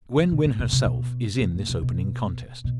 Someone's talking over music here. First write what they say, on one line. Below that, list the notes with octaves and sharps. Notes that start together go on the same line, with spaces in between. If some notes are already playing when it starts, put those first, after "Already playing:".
Gwen Wynn herself is in this opening contest.
C#3
B2
A#2
B2
C3
B2
B2
A#2
B2
B2
B2